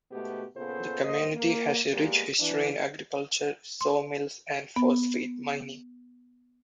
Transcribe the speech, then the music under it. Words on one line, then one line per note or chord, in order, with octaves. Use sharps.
The community has a rich history in agriculture, saw mills, and phosphate mining.
G#2 B2 A3 B3 F#4 G4
A#2 C#3 B3 F4 A4 C5
G2 A#3 C5 D#5
A#3
G3 G#3 A#3 B3 G4
E3 D4
C6
B3